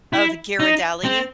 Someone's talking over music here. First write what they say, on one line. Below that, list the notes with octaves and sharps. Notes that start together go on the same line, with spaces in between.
Oh, the Ghirardelli?
E4
D#4
C4